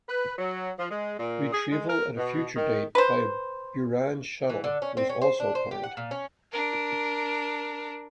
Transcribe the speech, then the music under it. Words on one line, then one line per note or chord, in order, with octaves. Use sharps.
Retrieval at a future date by a Buran shuttle was also planned.
B4
F#3
F3
G#3
A#2
G#4
G#3
A#4
B2
D#3
B4 C5
E3
D3
C#4
C4
C#4
C5
D4
C5
G4
F#5
A#2
C#4
D4 A#4